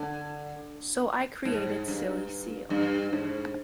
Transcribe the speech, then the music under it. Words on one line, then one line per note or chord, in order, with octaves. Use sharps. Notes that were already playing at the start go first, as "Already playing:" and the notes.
So I created "Silly Seal".
Already playing: D3
G#2
G2
G2
G#2